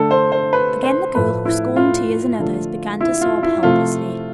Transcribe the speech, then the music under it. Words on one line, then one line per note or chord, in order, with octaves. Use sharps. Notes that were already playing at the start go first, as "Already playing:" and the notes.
Again the girl, who scorned tears in others, began to sob helplessly.
Already playing: D3 A3 A4
C5
C5
B4
C5
A2 F3 A3 B4
E4
F4
D3 F3 A3
E4
F4
E4
C3 F3 A3 F4